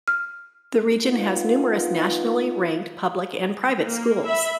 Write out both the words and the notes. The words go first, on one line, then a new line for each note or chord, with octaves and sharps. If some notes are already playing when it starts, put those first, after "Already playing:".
The region has numerous nationally ranked public and private schools.
F6
B3 D#4 F4
A#3
E5 B5